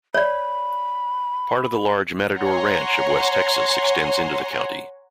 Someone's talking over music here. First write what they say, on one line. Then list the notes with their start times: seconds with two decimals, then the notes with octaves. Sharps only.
Part of the large Matador Ranch of West Texas extends into the county.
0.14 C#5 D5 B5
2.39 C#5 F#5 G#5 A#5 C6